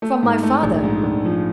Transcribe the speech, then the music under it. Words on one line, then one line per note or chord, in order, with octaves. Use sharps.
"From my father?"
A3
G#2
A3
A#1
G#2
A#1
F3